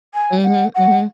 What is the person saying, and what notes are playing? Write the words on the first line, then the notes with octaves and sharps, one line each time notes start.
Mhm, mhm.
G#5
F#5
F#5